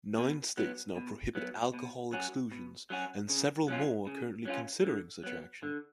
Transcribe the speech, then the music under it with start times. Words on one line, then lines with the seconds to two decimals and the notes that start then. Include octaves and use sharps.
Nine states now prohibit alcohol exclusions and several more are currently considering such action.
0.18 B2
0.57 F#3 B3
0.96 B2
1.35 F#3 B3
1.74 B2
2.13 F#3 C#4 F#4
2.52 B2
2.90 F#3 C#4 F#4
3.30 C#3
3.68 F#3 C#4 F4
4.07 C#3
4.45 F#3 C#4 F4
4.85 D3
5.24 F#3 B3
5.63 D3